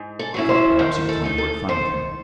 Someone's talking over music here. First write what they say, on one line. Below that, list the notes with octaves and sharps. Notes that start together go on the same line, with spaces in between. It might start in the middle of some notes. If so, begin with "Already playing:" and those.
I thought, perhaps, you could tell me where to find him.
Already playing: G#2
A4
F#3 C#4 E4
C5
D#3 C5
A4
A3 D#4
A4
D#3 C5